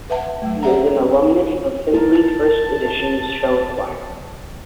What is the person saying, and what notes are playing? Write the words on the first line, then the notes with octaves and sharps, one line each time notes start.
He is an alumnus of Findlay First Edition Show Choir.
B4 E5 F#5 A5
F#3 A3
C5 D5 E5 F#5 A#5
A#4 A5